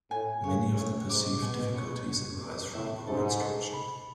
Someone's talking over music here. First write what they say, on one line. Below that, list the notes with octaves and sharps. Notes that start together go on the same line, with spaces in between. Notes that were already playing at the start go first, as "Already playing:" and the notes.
Many of the perceived difficulties arise from poor instruction.
A2 G#5
C#3 C#5
A2 C#5
G#2 D6
B2 G#5
C#5
C#5
D6
A2 E5
G#2 A4
A4
B5